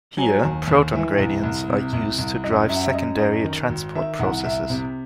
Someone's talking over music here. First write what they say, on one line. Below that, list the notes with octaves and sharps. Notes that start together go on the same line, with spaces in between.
Here, proton gradients are used to drive secondary transport processes.
F#3 G#5
D#2
D#2
E3 E5
C2
C2
C3
C2
C2
F#2 D#5
F#2 E5
F#5
E5
F#2 D#5
F#2 D#5
D#3
G#1
D#3 E5
C2 F#5
C2 E5
C3